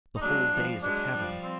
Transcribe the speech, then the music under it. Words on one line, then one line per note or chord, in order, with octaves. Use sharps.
The whole day is a cavern.
D#4
F#3 G#3 D4
F3 G3
F#3 G#3 D4
F3 G3
C4